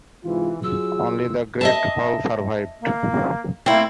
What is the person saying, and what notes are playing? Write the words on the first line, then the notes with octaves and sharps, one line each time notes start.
Only the great hall survived.
G#2 C3 E3 F4
F#3 F4 G#4 E6
D#5 E5 A5
A#3
A3 A#3 C4 E4